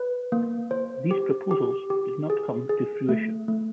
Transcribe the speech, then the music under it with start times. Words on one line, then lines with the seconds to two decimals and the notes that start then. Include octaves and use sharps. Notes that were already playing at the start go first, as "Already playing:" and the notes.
These proposals did not come to fruition.
Already playing: B4
0.32 A#3
0.71 C5
1.11 G4
1.51 G4
1.90 G4
2.30 G#4
2.69 G#4
3.09 A3
3.48 A3